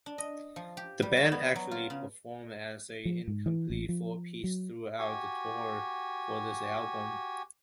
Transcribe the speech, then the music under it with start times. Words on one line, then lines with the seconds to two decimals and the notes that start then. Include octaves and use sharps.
The band actually performed as an incomplete four-piece throughout the tour for this album.
0.06 D4
0.18 D#5
0.56 F3
0.77 G4
1.02 G3
1.17 F#4
1.32 B3
1.56 F#3
1.71 F4
1.90 C#3
3.05 F3
3.28 G#2
3.46 E3
3.70 A1
3.89 F3
4.44 F#3
4.99 F#4 G4 G#5